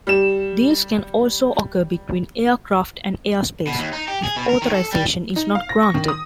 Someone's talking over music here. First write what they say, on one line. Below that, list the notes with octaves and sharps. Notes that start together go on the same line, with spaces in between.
Deals can also occur between aircraft and airspace, if authorization is not granted.
G3 E7
B2
D#2
D#4
G4
G#4
B2
A#4
D#3
A4
G3
D#4
F5
A#6
C#6
D#3
D#6